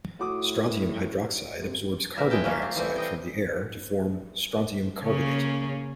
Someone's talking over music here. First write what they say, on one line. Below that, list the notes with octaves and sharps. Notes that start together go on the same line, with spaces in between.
Strontium hydroxide absorbs carbon dioxide from the air to form strontium carbonate.
A2 F#4 D6 D#6
C3
A#2 E3 G3 A#4 E5
G#3 E4 G5 A5
F#3 A#3 C#4 F4
C4
E3 G3 A3 C4
C4 D#5 G5
C#3 A#3 C#4